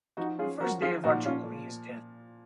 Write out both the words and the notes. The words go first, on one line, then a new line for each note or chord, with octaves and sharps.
The first day of our jubilee is death.
F3 D#4 F#4
C#4 F4 G#4
F3 F#4 A#4
F3 F4 G#4
A#2 D#4 F#4
A#2 C#4 F4